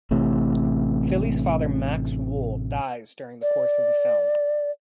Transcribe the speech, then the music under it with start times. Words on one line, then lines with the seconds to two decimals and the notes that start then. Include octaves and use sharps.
Philly's father, Max Wohl, dies during the course of the film.
0.11 A1 A2 C3
3.42 D5